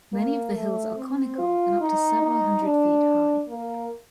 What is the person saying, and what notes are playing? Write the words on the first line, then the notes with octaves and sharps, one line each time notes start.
Many of the hills are conical and up to several hundred feet high.
A#3
A3
C4
F4
D#4
D#4
D4
A#3